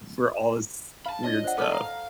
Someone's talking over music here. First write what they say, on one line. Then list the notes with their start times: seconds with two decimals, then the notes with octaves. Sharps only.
for all this weird stuff.
1.06 F5 A5 B5
1.24 D4 F4 C#5 D#5
1.44 C5 D5 F#5
1.58 B3 A4 A5 D6 F6
1.72 F5 A#5